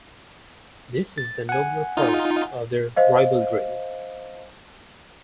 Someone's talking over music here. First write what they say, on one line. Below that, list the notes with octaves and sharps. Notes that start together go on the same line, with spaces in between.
This is the nobler part of their ribaldry.
A6
F#5 G#5
D#4 F4
C5 D#5 F5